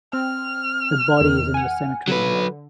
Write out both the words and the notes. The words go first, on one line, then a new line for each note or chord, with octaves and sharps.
The body is in the cemetery below.
C4 F6
E2 D#3
F#5 G#5
D3 F#3 B4